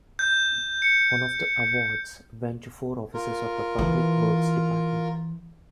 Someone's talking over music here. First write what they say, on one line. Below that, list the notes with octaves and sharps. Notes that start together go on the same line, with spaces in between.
One of the awards went to four officers of the Public Works Department.
G6
C#7
F4 A#4
E3